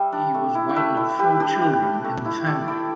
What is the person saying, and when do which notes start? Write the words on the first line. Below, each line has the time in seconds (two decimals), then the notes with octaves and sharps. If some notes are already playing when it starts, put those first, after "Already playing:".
He was one of four children in the family.
Already playing: G3 E5
0.13 D4
0.34 A3
0.55 E4
0.69 G5
0.76 A3 B4 E5
0.97 E4
1.19 G3 G4 B4
1.40 D4 G4 B4
1.62 G3
1.82 D4
2.04 A3
2.25 E4
2.46 A3 A4 D5
2.68 E4 D5 G5